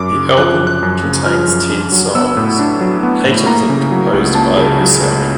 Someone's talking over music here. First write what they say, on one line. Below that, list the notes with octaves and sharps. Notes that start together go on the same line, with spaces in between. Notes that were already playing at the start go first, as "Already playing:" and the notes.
The album contains ten songs, eight of them composed by herself.
Already playing: F#2 D6
C#3
F3 F#6
F#2
F#6
F#2
C#3
F3 F6
F#2
D4
F#3
B3 E6
A2
D4
F#3
B3
A2
A#3 A#5
C#3
F#3
C#2
A#3 A5
C#3
F#3
C#2